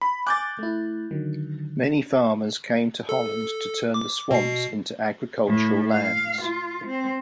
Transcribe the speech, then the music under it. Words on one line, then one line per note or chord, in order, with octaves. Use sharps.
Many farmers came to Holland to turn the swamps into agricultural lands.
B5
G#5 D6 F#6 G6 A6
A3 E4
D3 D#3 F#3
A4
D6
B2 C7
A2
F5
F4
C4